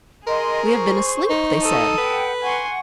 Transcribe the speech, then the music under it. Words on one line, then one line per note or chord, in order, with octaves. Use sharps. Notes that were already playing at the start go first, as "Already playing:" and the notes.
"We have been asleep," they said.
G#4 A#4 D#5 C6
C5 C#6
D#4
A4 D#6
B4 F#5 G5
F#5 G#5 C6 C#6